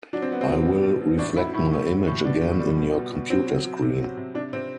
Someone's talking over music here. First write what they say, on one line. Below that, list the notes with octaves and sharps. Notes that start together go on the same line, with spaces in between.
I will reflect my image again in your computer screen.
F#3 D4
C4
F#3 B3
C4
B2
B2
B2
F#3
A2 D4
F#3 E4
A2 E4
A2
F#3
A2
B2 D4
B2
G3
B2
B2
B2
F#3 C4
F#3
F#3
C3
F#3
C3
C3 D4
C3 C4